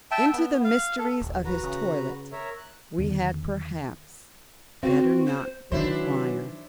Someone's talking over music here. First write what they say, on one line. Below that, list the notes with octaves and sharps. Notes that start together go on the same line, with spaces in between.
Into the mysteries of his toilet we had perhaps better not inquire.
E5 G5 A5
B3
F5
A4
D#1
F#4 B4 A#5
C#3
A#4 C#5 E5
F#6
E2 D3 D#3
C4 F#4 F5
C5
D#3 E3 F#3 D4 E4 C5